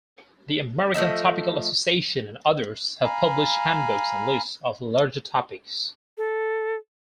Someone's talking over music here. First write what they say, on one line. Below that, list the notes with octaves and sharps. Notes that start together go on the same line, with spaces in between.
The American Topical Association and others have published handbooks and lists of larger topics.
F3 A3 D#5 E5
F5 G#5 A#5 B5
A4